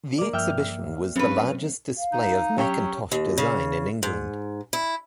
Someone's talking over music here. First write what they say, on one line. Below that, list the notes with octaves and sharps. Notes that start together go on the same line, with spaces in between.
The exhibition was the largest display of Mackintosh design in England.
A#3 D5
G2 F3 E5 G5 F6
G2 F#3 C4 C#4 B4
F5
D#4
F#3 C#4 G4 C#5
D#2
C#3
G#2
E4